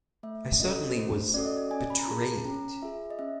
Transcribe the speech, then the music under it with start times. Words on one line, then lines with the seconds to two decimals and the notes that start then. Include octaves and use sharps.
I certainly was betrayed.
0.23 A3 E5
0.60 C#4 F#4 A4 D#5
0.97 A3 C5
1.34 C#4 F#4 A4 D5
1.45 D#5
1.57 D5
1.71 C#4 G#5
1.90 B5
1.99 A#5
2.08 F4 G#4 A5
2.45 C#4 A#5
2.82 F4 G#4 E5
3.10 D#5
3.19 C#4 E5